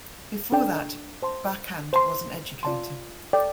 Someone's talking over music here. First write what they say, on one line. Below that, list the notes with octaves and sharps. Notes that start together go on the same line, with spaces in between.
Before that Bachand was an educator.
D4 A4 D5 G5
C5 A5 C6
C5 A5 C6
F4 D5 A5 C6
A4 D5 G5